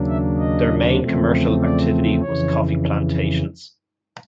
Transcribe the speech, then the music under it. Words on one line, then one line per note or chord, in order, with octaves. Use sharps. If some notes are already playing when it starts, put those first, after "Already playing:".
Their main commercial activity was coffee plantations.
Already playing: D#2 C#3 F#3 A#3 D4
E5
D#5
E2 C#3 F3 A3 C4
D5
F2 C#3 E3 C#5